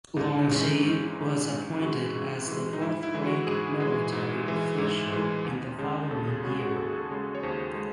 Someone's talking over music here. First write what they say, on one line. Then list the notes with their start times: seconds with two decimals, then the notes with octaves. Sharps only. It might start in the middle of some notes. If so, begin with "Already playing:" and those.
Longxi was appointed as the fourth rank military official in the following year.
0.16 G#2 D#4
0.39 D#4
0.50 E3 G#3 C#4
0.61 D#4
0.83 G#2
1.16 E3 G#3
1.50 G#2
1.82 E3 G#3 F#4
2.15 G#2
2.48 E3 G#3
2.73 D#4
2.81 G#2 E4
3.03 E4
3.14 E3 G#3
3.26 F#4
3.47 G#2 G#4
3.80 E3 G#3
4.12 G#2
4.46 E3 G#3
4.78 G#2
5.12 E3 G#3
5.45 D#2
5.78 C#3 G#3
6.11 D#2 A4
6.28 G#4
6.44 C#3 G#3 F#4
6.61 F#4
6.76 D#2 A4
6.86 G#4
6.96 A4
7.10 C#3 G#3
7.35 C#5
7.43 D#2 C5
7.75 G#3